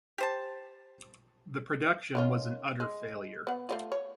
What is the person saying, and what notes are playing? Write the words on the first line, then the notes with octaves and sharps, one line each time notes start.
The production was an utter failure.
G4 C5 A5
D#3 C#4 F4
G#3
B3 F#5
A3 C#4 F4
C#5